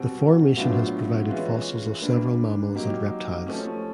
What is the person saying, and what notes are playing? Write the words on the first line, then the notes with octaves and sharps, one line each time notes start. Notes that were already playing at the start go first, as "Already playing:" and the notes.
The formation has provided fossils of several mammals and reptiles.
Already playing: B2 G3 C4
A2 F#3 B3 D4 F4
E3 G#3 C#4 F4
G3 A#3 D4 G4 B4
F#3 A#3 D#4 G4
F3 A3 C#4